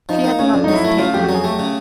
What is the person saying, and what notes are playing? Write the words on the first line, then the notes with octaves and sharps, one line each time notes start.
She had not mistaken him.
F3 D#4
A#3 D#4
C#3 C#4
F2 D4
D#4
F#3
E4
A3 E4
C#3 F4
F2 G4
F#4
F#3
G#4
A3 G4
C#3